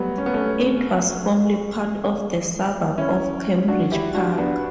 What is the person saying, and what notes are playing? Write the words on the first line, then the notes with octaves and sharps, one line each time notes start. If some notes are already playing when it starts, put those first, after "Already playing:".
It was formerly part of the suburb of Cambridge Park.
Already playing: F#3 G3 A3 B3
C#4
B3
A3 C#4
C#4 E4
D4 F#4
E4 G4
D4 F#4
B3 D4